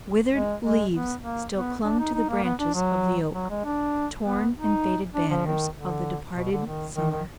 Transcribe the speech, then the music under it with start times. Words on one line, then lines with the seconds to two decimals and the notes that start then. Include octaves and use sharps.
Withered leaves still clung to the branches of the oak: torn and faded banners of the departed summer.
0.33 G#3
0.63 G#3
0.93 B3
1.23 A#3
1.54 B3
1.84 D4
1.99 D#4
2.14 D#4
2.29 A#3
2.44 B3
2.59 D4
2.74 F#3
3.34 F#3
3.50 G#3
3.65 D4
4.24 B3
4.55 D#4
5.15 D4
5.31 F3
5.46 D#3
5.75 D3
6.36 B2
6.52 D3
6.66 D#3
6.96 D#3
7.11 D#3